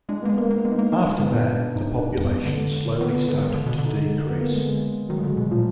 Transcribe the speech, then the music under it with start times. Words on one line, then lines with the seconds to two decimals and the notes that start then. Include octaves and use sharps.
After that, the population slowly started to decrease.
0.09 G#3 D4
0.22 B3
0.25 A#3
0.29 G#3
0.37 A#3
0.51 A#3 B3
0.65 G#3
0.71 D#4
0.79 A#3
0.91 A#3 D#4
1.06 G#3 D4
1.19 D3 B3
1.32 A#2 D4
1.76 G#2 D#4
1.97 D4
2.13 D4
2.17 F2 B3
2.32 F#2
2.45 D3
3.00 D#3 B3
3.15 D3
3.28 D3
3.43 D#3
3.54 D3
3.66 B2
3.78 D3
3.85 D#4
4.29 B3
4.39 A#3
4.53 G#3
5.09 D#3 F#3
5.18 G#3
5.23 D3 F#3
5.37 B2
5.51 A#2 F3